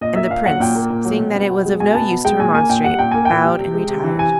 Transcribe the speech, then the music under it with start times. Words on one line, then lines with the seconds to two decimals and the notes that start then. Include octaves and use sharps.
And the Prince, seeing that it was of no use to remonstrate, bowed and retired.
0.01 A#2 D#5
0.16 A#3 E5
0.30 A#2 F5
0.46 F#3 F#5
0.60 A#2 G5
0.75 A#3
0.90 A#2
1.05 F#3
1.20 B2
1.35 B3
1.51 B2
1.66 G#3
1.80 B2 G#5
1.94 B3 A5
2.10 B2
2.25 G#3 G5
2.39 A#2 G#5
2.54 A#3 G#5
2.69 A#2 G5
2.84 G3 F#5
2.99 A#2 G5
3.11 A#3 G#5
3.25 A#2 G5
3.44 G3
3.59 C3
3.74 G#3
3.88 C3
4.04 E3
4.19 C3 G#5